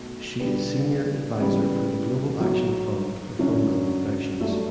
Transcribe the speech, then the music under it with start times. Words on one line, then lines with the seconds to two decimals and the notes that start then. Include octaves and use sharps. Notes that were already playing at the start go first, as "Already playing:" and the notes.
She is senior advisor for the Global Action Fund for Fungal Infections.
Already playing: B1 B2 A3
0.39 D3 G3 B3
1.39 C#3 E3 G3 B3
2.40 B1 B2 F#3
3.39 F#2 D3 F#3 C#4 F#4
4.40 G1 G2 F#3 A3